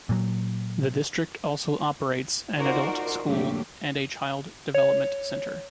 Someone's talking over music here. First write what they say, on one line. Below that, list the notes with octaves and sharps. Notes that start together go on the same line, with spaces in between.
The district also operates an Adult School and a Child Development Center.
A#2 F#3
D#4 F4 F#4 A#4 C5 D5
F2 A2 D3 F#3 A#3 G4
C#5